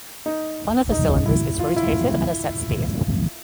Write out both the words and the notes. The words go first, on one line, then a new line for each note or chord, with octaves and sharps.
One of the cylinders is rotated at a set speed.
D#4
D#4
E4
F4
E4